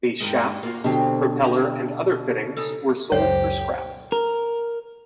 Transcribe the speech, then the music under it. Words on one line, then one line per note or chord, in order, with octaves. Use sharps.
The shafts, propeller and other fittings were sold for scrap.
G2 D#3 G#3
A#3 F4 F#4
B2 D3 F#3 C4 G4
G4 D#5
C#3 D#4 A4
C#2 F#2 G4 C5 C#5
A#4